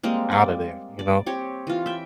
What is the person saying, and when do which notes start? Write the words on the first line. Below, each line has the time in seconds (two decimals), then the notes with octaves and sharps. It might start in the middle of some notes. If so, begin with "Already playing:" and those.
out of there, you know?
0.03 G3 G#3 A#3 C4
0.31 D5
0.99 D5
1.26 C4 G4 C#5
1.67 E3 F4
1.86 E5 G5